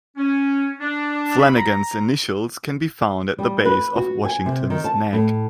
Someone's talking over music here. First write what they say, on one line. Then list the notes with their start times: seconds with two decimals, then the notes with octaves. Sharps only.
Flanagan's initials can be found at the base of Washington's neck.
0.17 C#4
0.80 D4
1.39 B5
1.57 A#5
3.38 G3
3.65 B4
3.96 F#4
4.25 G#5
4.46 C3
4.70 D#3
4.84 A5
5.13 A2